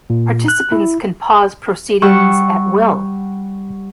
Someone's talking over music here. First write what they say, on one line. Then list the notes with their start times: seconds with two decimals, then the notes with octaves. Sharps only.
Participants can pause proceedings at will.
0.10 A#2
0.48 F#6
0.72 E4
2.02 G3 F#5 C#6 E6